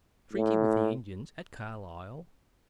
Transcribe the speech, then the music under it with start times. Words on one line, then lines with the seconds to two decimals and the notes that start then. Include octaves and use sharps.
Treaty with the Indians at Carlisle.
0.33 A2